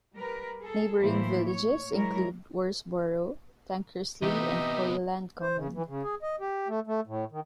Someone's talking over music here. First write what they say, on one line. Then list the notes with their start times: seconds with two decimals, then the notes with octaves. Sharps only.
Neighbouring villages include Worsbrough, Tankersley and Hoyland Common.
0.16 G3 A#4 B4
0.60 G#4 A4
1.01 A2 E3 A#3 E4 C5
1.47 C#5
1.91 F#3 G#3 E4 A#4 C#5
4.22 C3 E3 B3 D#4 G4 D#5 E5
5.41 C5
5.57 C#3
5.74 E3
5.88 C#3
6.04 G#4
6.22 D#5
6.40 G4
6.68 A3
6.87 A3
7.07 A2
7.32 D#3